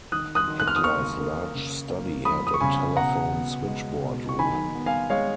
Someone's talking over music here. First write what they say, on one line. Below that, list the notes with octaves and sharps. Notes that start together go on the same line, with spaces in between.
Hitler's large study had a telephone switchboard room.
D#3 D#6 F#6
D#6 F#6
D#3
F#6
F6
D#6
A#3 C#6 F6
A#3
C#3
A#3
F3 B5 D#6
D#6
C#6
C#3 G#5 B5
B2 F#5 A#5
B3
G#3
B2
C#6
D#3 G#5 B5
B3
F5 G#5
G#3 C#5 F5